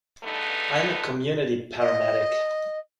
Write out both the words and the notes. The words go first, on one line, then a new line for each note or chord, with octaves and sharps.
I am a community paramedic.
E2 G2 D3 A3 B3 D#4
D#5